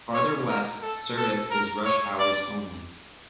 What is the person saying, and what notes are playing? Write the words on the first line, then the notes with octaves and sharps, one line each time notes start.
Farther west, service is rush hours only.
C#5
A#4
A4
A4
A#4
C#5
D5